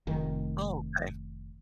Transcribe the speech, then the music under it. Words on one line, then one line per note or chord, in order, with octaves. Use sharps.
Oh, okay.
F1 D#3